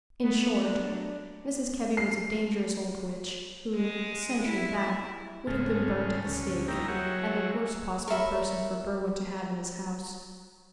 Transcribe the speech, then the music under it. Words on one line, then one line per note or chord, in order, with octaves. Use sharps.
In short, Mrs. Kebby was a dangerous old witch, who, a century back, would have been burnt at the stake; and the worst possible person for Berwin to have in his house.
A3 B3
F#3 D4
C7
G#3
E4
G#2 C#3 G#3 A4 F6
D2 C#4
G3 A#3 D#4 E4 G4 A#4
F#3 F#4 G#4 C#5 E5
A#4 C#5 E5 B5